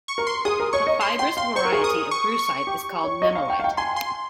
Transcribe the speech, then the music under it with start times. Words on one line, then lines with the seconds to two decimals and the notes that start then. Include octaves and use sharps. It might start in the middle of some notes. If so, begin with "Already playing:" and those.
A fibrous variety of brucite is called nemalite.
0.08 C#6
0.18 A#4
0.27 C6
0.45 G#4 D#6
0.60 A#4
0.73 C#5 C#6
0.87 D#5
1.01 C6
1.19 G5 C6
1.37 F5 C6
1.56 C5 C#6
1.65 A#4
1.72 G#4
1.81 A#4 D#6
2.11 C#6
2.39 C#6
2.67 G4
3.04 C#5
3.22 D#5
3.35 F5
3.50 G5
3.60 F5
3.64 G5
3.77 G#5 C6
3.96 C6